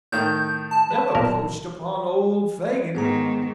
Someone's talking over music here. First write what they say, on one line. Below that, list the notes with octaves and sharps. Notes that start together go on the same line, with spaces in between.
Never poached upon old Fagin!
A2 D#3 G6
A5
B4
B1 A#2 A#4
G#2 D#3 B3 G#4 A#5